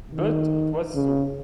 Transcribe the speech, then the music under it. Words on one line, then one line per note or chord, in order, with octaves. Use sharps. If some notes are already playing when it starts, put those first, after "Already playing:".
But it was so.
D#3
C#3